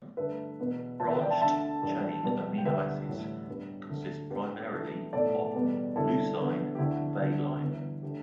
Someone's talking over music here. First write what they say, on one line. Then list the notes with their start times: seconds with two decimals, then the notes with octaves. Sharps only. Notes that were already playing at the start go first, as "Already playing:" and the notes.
Branched-chain amino acids consist primarily of leucine and valine.
0.17 G2 D3 A3 B4 E5
0.59 E2 B2 B3
1.00 E2 E3 B3 E5 A5
1.10 B4 E5
1.20 D5 G5
1.30 E5 A5
1.41 D2 D3 A3 E5 A5
1.82 A1 G2 G3
2.24 E2 B2 G3 B3
2.58 G5
2.65 D2 D3 G3 B4 E5
3.06 A1 A2 E3 G3
3.48 G2 G3 B3
3.89 D2 D3 A3
4.30 G2 D3 B3 G4 B4
4.72 G2 E3 A3
5.13 B1 A2 A3 A4 D5
5.55 E2 B2 G3 B3
5.96 G1 G2 G3 E4 A4
6.38 E2 D3 B3
6.75 G4
6.78 D2 D3 A3 E4
7.19 D2 D3 G3 B3
7.61 G1 G2 E3
8.03 D3 A3 G4